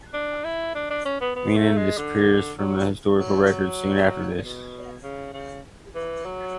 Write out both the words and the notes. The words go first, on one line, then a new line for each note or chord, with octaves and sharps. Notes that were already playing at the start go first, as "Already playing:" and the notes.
Menen disappears from the historical record soon after this.
D4
E4
D4
D4
C#4
B3
B3
A3
G#3
D3
F#3
F#3
B2
C#3
C#3
E3
F#3